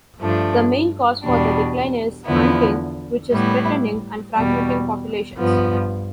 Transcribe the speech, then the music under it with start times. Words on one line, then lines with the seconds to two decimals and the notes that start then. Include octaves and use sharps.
The main cause for the decline is hunting which is threatening and fragmenting populations.
0.20 G2 F3 A3 D4
1.23 E2 B2 G3 D4
2.26 E2 D3 F3 B3 E4
3.30 A2 G3 B3 E4
4.35 E2 B2 G3
5.37 G2 F3 B3